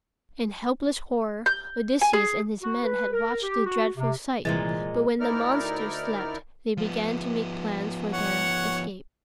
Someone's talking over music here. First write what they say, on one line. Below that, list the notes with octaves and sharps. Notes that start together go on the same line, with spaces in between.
In helpless horror Odysseus and his men had watched the dreadful sight, but when the monster slept they began to make plans for their escape.
G6
G#5
G#4
F#4
B4
A#4
G4
F#4
C3
C2 A#2 E3 F3 G#3 A6
D2 D#4 E4 A#4 D5 F6
F3 B3
C#5 F#5